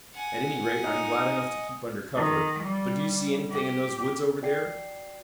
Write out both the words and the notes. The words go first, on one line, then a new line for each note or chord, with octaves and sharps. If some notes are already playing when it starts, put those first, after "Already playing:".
At any rate I'm glad enough to keep under cover, but do you see anything in those woods over there?
F#5 G#5
D#4 D#5
D#3
G3
G4
F#4 D5 G5 C7